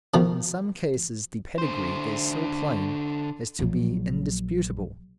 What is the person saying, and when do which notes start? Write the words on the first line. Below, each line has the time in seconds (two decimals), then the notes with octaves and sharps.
In some cases the pedigree, is so plain as to be indisputable.
0.14 B2 D#3 F3
1.58 D3 C5
3.59 A#1 F#3